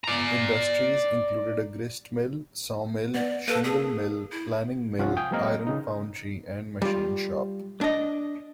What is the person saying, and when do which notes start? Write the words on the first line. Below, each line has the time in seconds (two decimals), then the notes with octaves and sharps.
Industries included a gristmill, sawmill, shingle mill, planing mill, iron foundry and machine shop.
0.04 D5 A#5
3.14 B3 D5
3.48 A#3 A4 B4
3.64 G#4
4.31 E4
4.99 C2 F3 C#4 F4 F#5
5.17 F5 G5 G#5 D#6
5.31 F#3 G#3 A#3 C4 A#4 D#5
5.67 C#3 D#4
6.82 G3 F4
7.81 D4 D#5